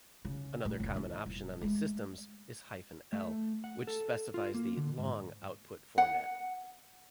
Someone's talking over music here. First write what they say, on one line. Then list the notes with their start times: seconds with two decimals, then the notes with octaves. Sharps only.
Another common option on these systems is -l, which specifies the "long" output format.
0.25 C#3
0.65 A2
0.80 F1 D2
0.94 E3 E4
1.26 D#1
1.61 G#3 A3
3.13 A3
3.64 F#5
3.87 A4
4.34 F4
4.54 A#3
4.77 D3
4.98 G#2
5.98 F#5